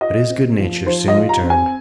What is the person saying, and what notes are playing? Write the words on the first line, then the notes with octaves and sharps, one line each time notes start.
But his good nature soon returned.
F4 D#5
C4
F3
F3 C5
D#5
F4
A#5
C4
G#5